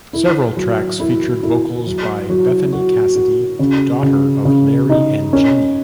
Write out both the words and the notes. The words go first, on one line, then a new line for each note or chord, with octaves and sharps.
Several tracks featured vocals by Bethany Cassidy, daughter of Larry and Jenny.
E4
F#3
E4
E4
F#3
F#3
F#4
F#4
C#3
C#3
C#3
D#4
C#4